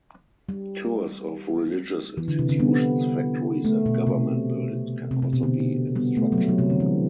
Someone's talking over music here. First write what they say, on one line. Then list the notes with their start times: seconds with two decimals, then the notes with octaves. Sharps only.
Tours of religious institutions, factories, and government buildings can also be instructional.
0.49 G3
2.17 E3
2.28 D3
2.39 C3
2.49 D3
2.59 G3 B3
3.65 A3
3.86 B2
4.07 C3
5.11 C3
5.22 C3
5.33 B2
5.43 D3
5.95 G3 B3
6.17 A3
6.32 F#3
6.38 G3
6.49 F#3
6.58 C3
6.70 D3
6.80 E3